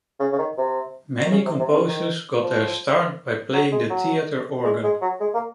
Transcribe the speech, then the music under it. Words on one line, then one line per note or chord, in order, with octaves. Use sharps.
Many composers got their start by playing the theatre organ.
C#3
C#3
D#3
C3
D#3
C#3
C3
C3
C#3
D#3
F3
F#3
G#3
F#3
G#3
G#3
F#3
G#3
A#3